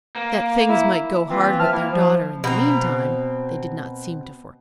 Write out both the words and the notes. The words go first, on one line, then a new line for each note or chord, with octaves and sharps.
That things might go hard with their daughter in the meantime they did not seem to foresee.
A#3
E4
E3 A#3 C4 F4 B4
F3 E5 A5 F6
A#3 E4
F3
B2 C4 A#5